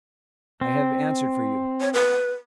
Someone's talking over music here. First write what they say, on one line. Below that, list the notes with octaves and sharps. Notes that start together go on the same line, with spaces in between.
I have answered for you.
C4
C#5
B4